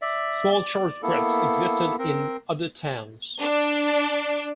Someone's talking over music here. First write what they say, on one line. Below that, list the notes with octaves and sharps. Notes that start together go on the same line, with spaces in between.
Small church groups existed in other towns.
D5 E5
D5
A#3 B3 E4 A4
C4 A#4
D4